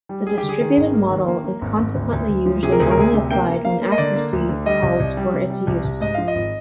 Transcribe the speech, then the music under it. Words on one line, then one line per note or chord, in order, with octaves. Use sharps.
The distributed model is consequently usually only applied when accuracy calls for its use.
G3
G3 G#4
G4
D3
G#4
D#3
G#1
A#3
D#3
A#3
A#3
G#1
G#1
D2
D2
D2
F3
C3 G#4
A#4
D2 G#4
A#4
D2 G#4
C3
A#3 G5
A#3
A#3 F5
A#3
D#5
D3 D5
A#3
D2
D3
G3 D#5
C2
C2
G3
C3
G3
C2
C2
G#2 D#5
F3 F5
D#5
G#1